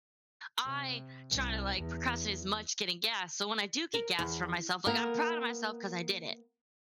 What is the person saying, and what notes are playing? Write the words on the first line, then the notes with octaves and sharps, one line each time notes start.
I try to, like, procrastinate as much getting gas, so when I do get gas for myself, like, I'm proud of myself 'cause I did it,
C3
C2
E2
A#4
E2
A#3 B3 A#4